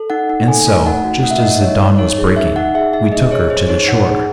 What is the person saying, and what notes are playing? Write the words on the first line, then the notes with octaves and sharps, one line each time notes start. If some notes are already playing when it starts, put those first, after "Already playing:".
And so, just as the dawn was breaking, we took her to the shore.
Already playing: A4
D#4 F#5
D#4
A4 G#5
A3
D#4 F#5
F#4
A3 F#5
E5
D#5
D#4 E5
D#4 C#5
D#4
D#4 C#5
G#4
D#4 E5
D#4 F#5
G#4 E5
D#4 E5
G#4 D#5
G#4 C#5
G#4 C5
D#4 C#5
D#4 F#5
G#4